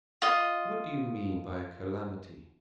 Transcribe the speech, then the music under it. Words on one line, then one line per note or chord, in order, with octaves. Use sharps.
What do you mean by a calamity?
F4 D#5